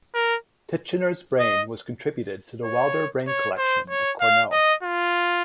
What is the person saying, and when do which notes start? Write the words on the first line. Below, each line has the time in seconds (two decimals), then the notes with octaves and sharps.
Titchener's brain was contributed to the Wilder Brain Collection at Cornell.
0.14 A#4
1.39 D#5
2.64 C#5
3.27 C#5
3.58 C5
3.90 C#5
4.20 F5
4.52 D#5
4.83 F4